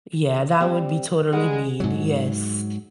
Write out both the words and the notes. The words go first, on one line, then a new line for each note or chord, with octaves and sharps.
Yeah, that would be totally mean, yes.
G3 C4 G4
G3 G#3 G#4 F#5
G#2 F#3